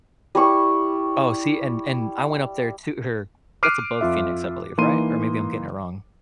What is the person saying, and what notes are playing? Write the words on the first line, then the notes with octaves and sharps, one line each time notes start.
Oh, see, and and I went up there to her that's above Phoenix, I believe, right? Or maybe I'm getting it wrong.
G3 E4 C#6
D6 F6 F#6 C7 D7 D#7
F2 F4 E5
E3 A#3 D#4 C6 D#7